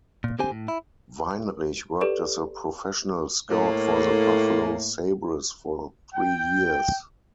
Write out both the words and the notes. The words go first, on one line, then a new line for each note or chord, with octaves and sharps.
Weinrich worked as a professional scout for the Buffalo Sabres for three years.
A#2
D3 C4 G4 C5 G#5
A2
E4
G4 A4 B4 D5
A2 A#3
G5